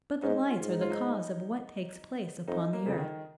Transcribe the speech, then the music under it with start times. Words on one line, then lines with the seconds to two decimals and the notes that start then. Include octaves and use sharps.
But the lights are the cause of what takes place upon the earth.
0.22 G#2 D#4
0.47 F4
0.60 G#2
0.72 D#4
0.81 F4
0.90 D#4
2.48 F2 D#4
2.73 A#3
2.85 F2 C#3
2.98 D#3